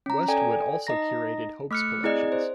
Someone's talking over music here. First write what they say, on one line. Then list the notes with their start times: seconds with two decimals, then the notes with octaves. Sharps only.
Westwood also curated Hope's collections.
0.06 C#4 A#5
0.28 A4 D5 G5 G#5
0.87 D#4 D#5 A#5 A#6
1.71 A3 D6 F6 F#6 C#7
2.03 C4 E4 G#4 D5 D#5
2.32 C5